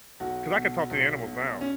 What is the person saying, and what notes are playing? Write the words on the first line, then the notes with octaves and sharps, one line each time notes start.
cause I could talk to the animals now,
B1 F#4
B2
B1
B2
C#4